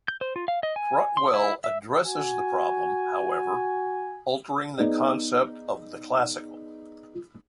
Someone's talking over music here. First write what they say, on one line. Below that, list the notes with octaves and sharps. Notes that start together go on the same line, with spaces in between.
Cruttwell addresses the problem, however, altering the concept of the classical.
G6
C5
F4
F5
D#5
G#5
C6
E4
E5
F#4 G#5
B3 D#4 G#4 D5